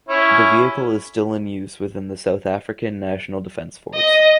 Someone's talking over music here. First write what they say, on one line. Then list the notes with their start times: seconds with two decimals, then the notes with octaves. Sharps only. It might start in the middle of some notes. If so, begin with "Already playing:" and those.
The vehicle is still in use within the South African National Defence Force.
0.09 C#4 E4
3.96 D#5